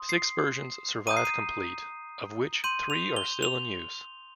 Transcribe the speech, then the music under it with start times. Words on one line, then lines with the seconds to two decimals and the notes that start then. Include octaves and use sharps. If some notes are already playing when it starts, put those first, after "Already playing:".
Six versions survive complete, of which three are still in use.
Already playing: C6 D#6
0.09 C7
1.07 A#5 D#6 G6 D#7
1.17 C7
1.25 D#7
2.64 C6 G6 D#7
2.90 F7
3.16 G7
3.42 F7